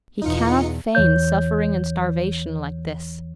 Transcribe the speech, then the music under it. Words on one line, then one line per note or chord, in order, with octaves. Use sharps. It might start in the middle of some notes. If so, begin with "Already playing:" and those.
He cannot feign suffering and starvation like this.
E2 B2 D#4 F4 C#7
E2 E3 C#5 G6